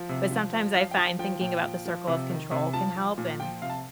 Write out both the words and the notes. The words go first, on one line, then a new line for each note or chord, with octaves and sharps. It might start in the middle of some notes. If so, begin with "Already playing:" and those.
but sometimes I find thinking about the circle of control can help, and
Already playing: F3
C3
F3
F3
F3 F5
G5
F3 A5
F3 G5
A#2 G5
F3
F3
C3
D#3
C3
F3 A5
F3
A#2
F3 G5
C3 F5
A5